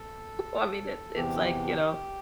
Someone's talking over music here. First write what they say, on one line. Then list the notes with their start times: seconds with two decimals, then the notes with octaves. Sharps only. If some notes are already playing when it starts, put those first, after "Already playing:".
I mean, it it's like, you know
Already playing: A4
1.16 E2 C3 E3 G4